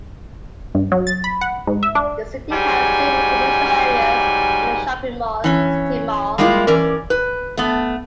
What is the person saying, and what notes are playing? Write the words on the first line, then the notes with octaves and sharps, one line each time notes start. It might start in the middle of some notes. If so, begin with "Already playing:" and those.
The city has several commercial areas and a shopping mall, City Mall.
G2
F#3
A6
B5
F#5
G#2
E5
D4
G#2 F#3 G3 G#5
E3 C#4
G3 G#3 A#3 E4 F4
E3 C#4 A#4 D5
B4
A3 B3